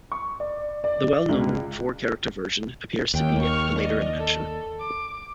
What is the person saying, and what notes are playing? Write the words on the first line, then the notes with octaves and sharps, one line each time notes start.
The well-known four-character version appears to be a later invention.
C#6
D5
D5
C#2
D#2 C#4 G5
C#6 F6
D5 D#5
A4
D6